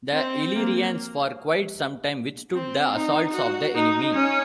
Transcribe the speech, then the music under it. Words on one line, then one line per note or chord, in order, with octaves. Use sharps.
The Illyrians for quite some time withstood the assaults of the enemy.
C4
A#3
C4
D#4
F#4
D#4
C#4